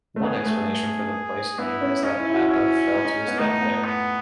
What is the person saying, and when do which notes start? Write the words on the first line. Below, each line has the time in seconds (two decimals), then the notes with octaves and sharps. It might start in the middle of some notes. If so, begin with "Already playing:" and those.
One explanation for the place name is that Apa fell to his death there.
0.16 A3
0.23 B3 G#4
0.46 A3
1.58 B3 E4
1.81 C#4
2.03 C#4 D#4
2.19 E4
2.29 E4
2.34 F#4
2.48 C#4 E4
2.94 D#4
3.05 D#4
3.28 B3
3.39 A3 D#4
3.62 B3
3.84 B3